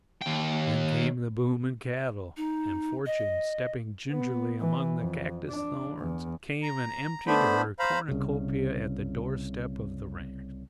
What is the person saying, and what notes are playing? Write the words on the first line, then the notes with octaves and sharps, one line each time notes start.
Then came the boom in cattle, and Fortune, stepping gingerly among the cactus thorns, came and emptied her cornucopia at the doorstep of the ranch.
D#2 G5
D#4
D#5
B3
E3
F2
D4
E2
A#5
A3 B3 D4 C5 B5
C5 F5 A#5 B5
C2 C#3